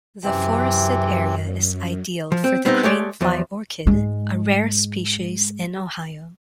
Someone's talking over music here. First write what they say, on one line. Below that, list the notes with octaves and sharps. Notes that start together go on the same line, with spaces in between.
The forested area is ideal for the crane-fly orchid, a rare species in Ohio.
F#2 C3 E3 C4
F3
C4
G3 B3 C4 D#4 D#5
G#3 A3 G4 C#5 D5
E2 F3
G#2 G#3